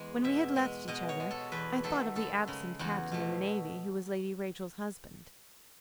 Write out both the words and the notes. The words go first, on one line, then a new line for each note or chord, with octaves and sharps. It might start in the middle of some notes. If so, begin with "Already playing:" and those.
When we had left each other, I thought of the absent Captain in the Navy who was Lady Rachel's husband.
Already playing: E2 G#3
B2 E5
G#3
B2 D#5
C#5
G#3
A4
E2 B4
D#3 F#3 A3 A4
F#2 A4
C#3 G#3
E2 F#4
B2 A3